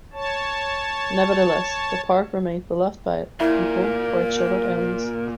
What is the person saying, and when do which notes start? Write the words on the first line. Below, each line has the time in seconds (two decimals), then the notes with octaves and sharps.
Nevertheless, the Park remained beloved by the people for its shadowed alleys.
0.13 C#5 A5
3.40 A#2 E4 A#4 E5